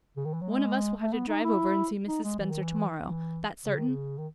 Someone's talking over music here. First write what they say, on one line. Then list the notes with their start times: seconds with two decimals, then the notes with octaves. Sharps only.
One of us will have to drive over and see Mrs. Spencer tomorrow, that's certain.
0.17 C#3
0.25 D#3
0.33 E3
0.41 F#3
0.50 G#3
1.01 A3
1.13 B3
1.28 D#4
1.44 E4
2.08 D#4
2.23 G#3
2.39 E3
2.50 D#3
2.62 E3
3.01 E3
3.65 C#3
3.77 D#3
3.88 C#3
4.18 D#3